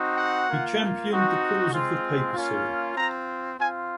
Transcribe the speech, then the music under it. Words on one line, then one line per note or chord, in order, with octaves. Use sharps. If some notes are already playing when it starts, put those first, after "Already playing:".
He championed the cause of the papacy.
Already playing: C4 D#4 F#4
F#5
A#3 F4
C4 D#4 F#4
G#3 C4 F4
A#3 C#4 F4
C4 F4 A#5
C4 F4 G#5